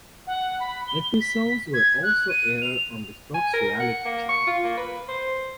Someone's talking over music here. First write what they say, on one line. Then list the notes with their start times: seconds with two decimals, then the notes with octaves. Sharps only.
Episodes were also aired on the Fox Reality Channel.
0.27 F#5
0.60 B5
0.87 G7
1.21 B6
1.74 G#6
2.03 F#6
2.29 D#7
2.62 F7
3.34 G#5
3.53 A#4
3.80 F#5
4.05 A#3
4.29 C#6
4.47 F4
4.64 A#3
4.77 B4
5.08 C5